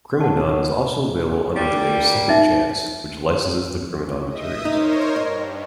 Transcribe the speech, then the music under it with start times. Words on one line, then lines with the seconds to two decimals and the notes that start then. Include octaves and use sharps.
Criminon is also available under the name Second Chance, which licenses the Criminon materials.
0.20 F#5 A5
1.55 G3 A#3
2.29 D#4 E5
4.27 D#5 E5 D#6
4.65 D#4 A#4 C5 C#5
5.16 G2 D#5